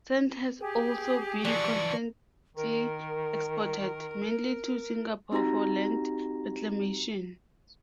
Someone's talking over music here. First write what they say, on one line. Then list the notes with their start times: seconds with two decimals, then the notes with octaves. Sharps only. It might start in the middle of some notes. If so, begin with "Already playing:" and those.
Sand has also been constantly exported, mainly to Singapore for land reclamation.
0.59 G4 G#4
1.45 E3 F3 D4 D5 C#6
2.57 D#3 A#4
5.32 C4 D#4 F#4 G4 A#5 A#6